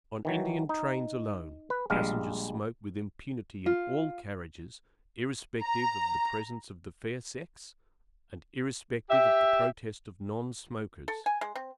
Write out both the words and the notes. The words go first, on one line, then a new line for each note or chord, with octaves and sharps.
On Indian trains alone passengers smoke with impunity in all carriages irrespective of the presence of the fair sex and irrespective of the protest of non-smokers.
D#3 E3 F#3
D#4
B4
A#1 G3 G#3 F5
F4
A#5
G4 E5
A4
G#5
G#3
C4